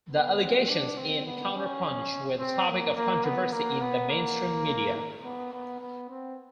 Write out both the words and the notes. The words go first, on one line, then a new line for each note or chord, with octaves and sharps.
The allegations in "CounterPunch" were the topic of controversy in the mainstream media.
B3
C4
D4
C4
B3
C#4
C4
A#3
A#3
B3
A#3
B3
A#3
B3
B3
B3
C4